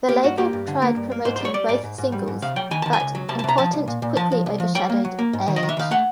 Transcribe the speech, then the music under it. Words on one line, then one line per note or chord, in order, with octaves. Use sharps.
The label tried promoting both singles, but "Important" quickly overshadowed "Age".
A#3 G4
G2 F#4
A#3 G4
G2
D3
A#3
G2
A#3
G#2 C5
C5
G3 C#5
G3 D5
G#2 D5
G#2
G#2
G3
G#2
C3 F5
F#3 G5
D#3 G#5
D#3 A5
G#5
C#2
F#3
C3 A5
A5
C3 A#5
F3 A5
C2
A#2
A#2
F3 A5
F3
C2
F3
F#3 G5
A#3
F#3
A#3
G#2
D#3
D#5
D#3
E5
D#3 F5
A3 F#5